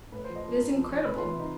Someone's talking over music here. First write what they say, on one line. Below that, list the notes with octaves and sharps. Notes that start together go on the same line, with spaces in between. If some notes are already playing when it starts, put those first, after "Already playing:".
It is incredible!
A2 B4
F3 C5
D#5
F3 A#4
A2 A#4
F3
F3
C3 B4
E3 F4
E4
C3 D#4